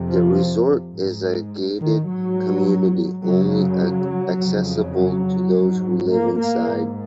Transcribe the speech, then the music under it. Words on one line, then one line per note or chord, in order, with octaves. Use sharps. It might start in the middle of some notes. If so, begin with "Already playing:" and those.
The resort is a gated community only accessible to those who live inside.
Already playing: F2 C3
F3
G#2
D#3
G#2 F#3
F#2 C#3 F#3
F#3
F2 C#3
F#3
G#2
A#3
A#3
G#2